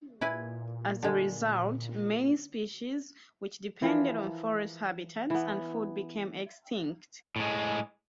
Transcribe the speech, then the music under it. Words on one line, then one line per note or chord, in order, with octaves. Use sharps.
As a result, many species which depended on forest habitats and food became extinct.
A#2 E4 B4 G#5
D3 G#3
E3 F3 A#4
E3 B3
A2 G#3